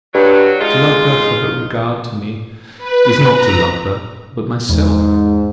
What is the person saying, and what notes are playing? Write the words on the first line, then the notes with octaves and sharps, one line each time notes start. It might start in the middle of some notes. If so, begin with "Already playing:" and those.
To love her for her regard to me, is not to love her, but myself.
G2 F#3
G#3 D#4 F4
B4
A#5
E2 G#2